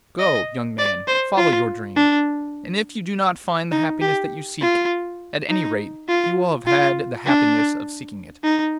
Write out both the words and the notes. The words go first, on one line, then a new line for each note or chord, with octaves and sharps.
Go, young man, follow your dream, and if you do not find the happiness that you seek, at any rate you will have had the happiness of seeking it.'
D#5
D5
C5
F4
D4
D#4
G4
F4
D#4
F4
F4
D4
D#4